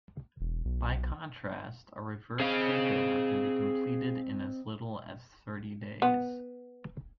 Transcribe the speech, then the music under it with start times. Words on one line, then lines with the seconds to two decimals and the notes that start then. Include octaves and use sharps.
By contrast, a reverse takeover can be completed in as little as thirty days.
0.41 E1
0.65 B1
2.40 C4 G#4 D#5 F5
6.02 B3